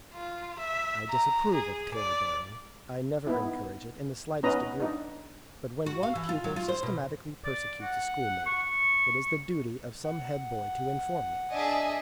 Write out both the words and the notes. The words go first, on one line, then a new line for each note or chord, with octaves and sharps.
I disapprove of tale-bearing, I never encourage it in the slightest degree; but when one pupil systematically persecutes a schoolmate, it is the duty of some head-boy to inform me.
F4
E5
A#5
G#4
D5
B3 D#4 E4
B3 C#4 D#4 B4 D#5 A#5
D4 D#4
F#4
F5
E3
F4
F#3
F4
C5
B2
D5
F#5
C#6
F#5
D4 G#4 D#5 E5 G#5